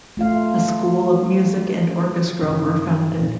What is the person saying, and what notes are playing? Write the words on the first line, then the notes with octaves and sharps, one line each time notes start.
A school of music and orchestra were founded.
A3 F4 F5
G2 C#3 G#3
A#2